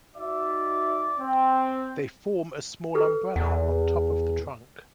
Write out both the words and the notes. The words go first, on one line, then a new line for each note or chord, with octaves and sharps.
They form a small "umbrella" on top of the trunk.
D#4 F#4 D5 E5
C4
G4 A4 B4
E2 F#5